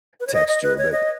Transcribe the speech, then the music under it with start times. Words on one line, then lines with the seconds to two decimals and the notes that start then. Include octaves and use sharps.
texture, but
0.20 B4
0.27 C#5
0.34 D#5
0.48 D#5
0.63 B4
0.78 C#5
0.92 D#5